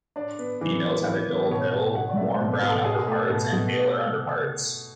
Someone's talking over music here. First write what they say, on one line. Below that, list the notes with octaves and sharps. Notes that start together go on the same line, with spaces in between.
Females have a dull bill, warm brown upperparts and paler underparts.
D4 D5
B3
E3
B3
E3
B3
B2 C#5
B2
B2 F#5
D5
A3 E5
D5
B2
B4
B2
A4
B2 G#4
A3
B2
B2